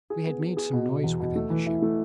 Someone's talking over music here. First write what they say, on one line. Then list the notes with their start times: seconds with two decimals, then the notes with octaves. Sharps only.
We had made some noise within the ship.
0.10 G#4
0.26 B3
0.41 G#4
0.57 G#4
0.73 B2
0.88 B2
1.03 E2
1.20 B2
1.36 A3
1.50 E3
1.66 E4
1.82 A3